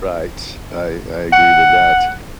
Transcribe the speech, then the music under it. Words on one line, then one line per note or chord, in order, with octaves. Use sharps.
Right, I I agree with that,
F#5